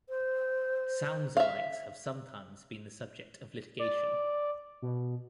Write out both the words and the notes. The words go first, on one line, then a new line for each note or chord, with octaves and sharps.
Sounds-alikes have sometimes been the subject of litigation.
C5
E5 F5
D5
B2